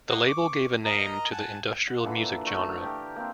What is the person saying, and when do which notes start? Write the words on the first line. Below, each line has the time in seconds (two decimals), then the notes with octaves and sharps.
The label gave a name to the industrial music genre.
0.09 A#3 D#5 F#5
0.28 C#6 D6
0.85 A#4 D#5 A#5
1.31 F#5 G#5 A5
1.88 F#5
2.04 A#2 D3 E3 A4
2.47 A3
2.82 G4 A#4
3.16 A#3 C4